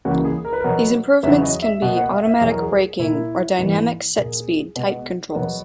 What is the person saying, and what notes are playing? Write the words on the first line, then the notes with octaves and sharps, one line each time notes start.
These improvements can be automatic braking or dynamic set-speed type controls.
C#2 C#3 E3 A#3 F#4
G#4
A#4
B4
B2 F#3 B3 A#4
E2 C#3 F#3 B3 E5
D#5
E5
B2 A#3 F#5
F#5
E5
E5
E2 B2 F#3 G#4
A#4
G#4
A#2 A#3 E4
G#2 E3 A#3
A#2 A#3 G#4
B2 G#3 B3
G#4
B2 F#3 B3 A#4